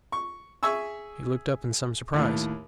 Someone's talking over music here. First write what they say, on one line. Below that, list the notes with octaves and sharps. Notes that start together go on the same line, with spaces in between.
He looked up in some surprise.
C#6
G#4 E5 G#5 C#6 E6
D#2 A2